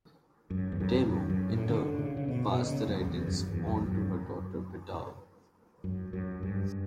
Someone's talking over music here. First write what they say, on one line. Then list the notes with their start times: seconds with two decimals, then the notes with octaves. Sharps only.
Damo, in turn, passed the writings on to her daughter Bitale.
0.50 F#2
0.72 E2
0.80 F#2
1.09 F#2
1.30 F#2
1.50 A2
1.69 D3
1.99 C#3
2.17 C#3
2.28 B2
2.48 B2
2.67 C#3
2.88 F#2
3.00 F#2
3.07 E2
3.27 F#2
3.39 F#2
3.47 E2
3.67 F#2
3.82 E2
3.86 F#2
4.07 F#2
5.84 F#2
6.13 F#2
6.43 G2